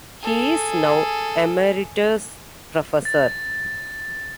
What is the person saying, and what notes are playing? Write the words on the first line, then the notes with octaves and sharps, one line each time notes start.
He is now Emeritus Professor.
G#4 A4
A6